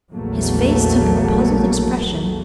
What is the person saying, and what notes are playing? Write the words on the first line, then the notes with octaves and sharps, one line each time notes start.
His face took a puzzled expression.
A#1 E2 F#3 A3 A#3